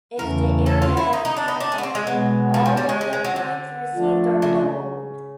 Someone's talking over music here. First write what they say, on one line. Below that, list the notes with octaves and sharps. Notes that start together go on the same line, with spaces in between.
If the area has a temple, all of the points received are doubled.
E2 C#3 E3 A3 A#4
A4
F4
E4
D#4
D#4
D4
D#4
D4
C#4
B3
C4
G#3
B2 F#3 G#3 B3
F3
F3
G3
G#3
G#3
G#3
F#3
D3
F3 A3 D4
C#3